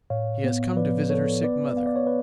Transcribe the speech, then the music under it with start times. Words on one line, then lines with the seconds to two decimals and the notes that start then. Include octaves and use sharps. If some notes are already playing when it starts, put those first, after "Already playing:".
She has come to visit her sick mother.
0.10 A2 C#5 F5
0.44 B3
0.76 F3 B4 D5
1.10 B3 A4 C#5
1.43 B3 B4 D5
1.76 B3 F5
1.87 D5
1.96 C#5
2.07 B4 D5